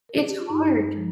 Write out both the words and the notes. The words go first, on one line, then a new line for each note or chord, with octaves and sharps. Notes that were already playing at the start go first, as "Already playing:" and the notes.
It's hard,
A#4
G#4
G4
F4
G2 D#4
F3 G#3